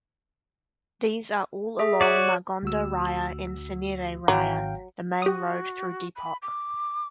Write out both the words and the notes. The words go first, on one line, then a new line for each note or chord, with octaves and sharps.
These are all along Margonda Raya and Cinere Raya, the main road through Depok.
G#4 E5
F#4 C#5 D5
D2 F#4 E6
G#1 F#3 F5 G5
F#4 G4 D#6
B5
D6